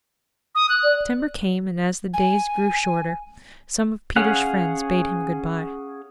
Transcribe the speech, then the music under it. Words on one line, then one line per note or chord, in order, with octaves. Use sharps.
September came, and as the days grew shorter, some of Peter's friends bade him good-by.
D#6
F#6
D5
G#5
C#4 G#4 F5 F#5